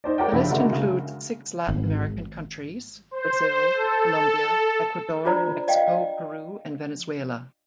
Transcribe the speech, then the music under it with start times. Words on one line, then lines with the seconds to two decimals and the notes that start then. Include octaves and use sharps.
The list includes six Latin American countries: Brazil, Colombia, Ecuador, Mexico, Peru and Venezuela.
0.04 D#4 C5 D5
0.18 G4 A#4 C#5 D5 F#5 G5
0.32 A#1 C#3 D4 E5 B5
0.50 D3 G#3 A3 F#4 A#4
0.73 C#3
1.69 G#1
3.11 C5
3.73 A4
5.25 D4 F4 C5 D5 A#5
5.68 D5 D#5 F5 G5